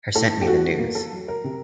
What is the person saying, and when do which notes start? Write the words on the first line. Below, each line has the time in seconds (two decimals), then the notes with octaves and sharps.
Her sent me the news.
0.15 A2 A4
0.42 G4
0.47 A2 F#4
0.79 A#3
0.95 A4
1.12 F#3
1.28 A#4
1.44 C3